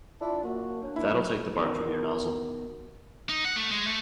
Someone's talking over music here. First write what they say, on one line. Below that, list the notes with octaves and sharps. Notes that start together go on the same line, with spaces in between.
That'll take the bark from your nozzle.
D4 E4 F4
F#2 A#3 F#4
C#4 D4
A#3 E4
F#3
B2 D#3
D#4
F#5
A3
G#3
A3